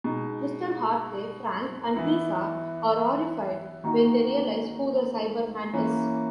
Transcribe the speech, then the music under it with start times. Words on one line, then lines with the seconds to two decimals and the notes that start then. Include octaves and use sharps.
Mr Hartley, Frank and Nyssa are horrified when they realise who the Cyberman is.
0.04 B2 G#3 D#4
1.94 E3 B3 E4
3.84 D#3 A#3 D#4 F#4
5.73 E3 A#3 C#4